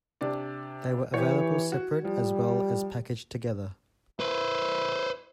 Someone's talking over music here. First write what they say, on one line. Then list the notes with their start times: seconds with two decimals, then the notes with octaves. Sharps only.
They were available separate as well as packaged together.
0.21 C3 D4 D5
1.14 E3 G4 C#5
1.72 F#4
2.05 F3 G3
4.20 E4 B4 C5